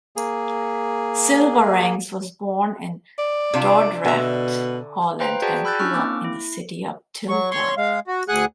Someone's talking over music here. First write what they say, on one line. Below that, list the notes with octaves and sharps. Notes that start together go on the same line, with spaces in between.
Cilvaringz was born in Dordrecht, Holland and grew up in the city of Tilburg.
A#3 G#4
D5
C3 D4 F4
B2 D3 E5
B4 C5 F5 G5 A#5 C6
F#4 G#4 D5 G5 A5 G6
B5 E6 F#6 G6 A6
C#4 D4 E4 C#6 E6 F6
A#3 C4 D6
E4
F#3 C#6
C#5 C6 C#6
G#3 F5
F#4
D2 G#4 F#5 G#5 F#6